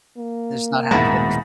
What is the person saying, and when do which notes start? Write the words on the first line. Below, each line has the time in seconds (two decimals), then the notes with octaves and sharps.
Just not having it.
0.18 A#3
0.91 D#1 G#2 B2 G#3 E4 F#4 A5